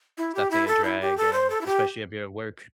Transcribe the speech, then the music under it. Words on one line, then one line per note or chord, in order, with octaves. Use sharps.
it's definitely a drag and especially if you're at work.
E4
G4
E4
A4
E4
G4
A4
C5
A4
E4
G4